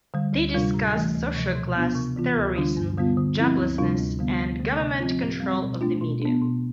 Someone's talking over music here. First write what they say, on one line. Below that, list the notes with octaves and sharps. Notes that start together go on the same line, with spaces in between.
They discuss social class, terrorism, joblessness, and government control of the media.
D3 G3
D2
C3 G3 D4 F4
A2
E3 A3
D2
C3 F3
B2
B3 D4 F4
C3
E3 B3 F4
D2
D3 G3 D4 F4
G2
D3 G3 B3 F4
D3
F3 C4 E4
D2
C3 G3 D4 F4
D2
D3 G3 B3
D2
D3 A3
C3
F3 C4 F4
A2
G3 C4
B2
A3 D4 F4
B2
B3 D4
B2